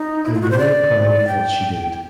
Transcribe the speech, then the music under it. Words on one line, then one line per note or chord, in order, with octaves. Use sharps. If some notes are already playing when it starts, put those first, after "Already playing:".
I’m very proud of what she did.
Already playing: D#4
E4
F4
F#4
C5
D5
G5